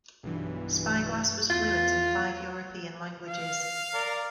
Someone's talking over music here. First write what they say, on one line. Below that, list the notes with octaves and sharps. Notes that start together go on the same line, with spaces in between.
Spyglass was fluent in five European languages.
B1 G2 E3
E2 F4
F5
A#4 D5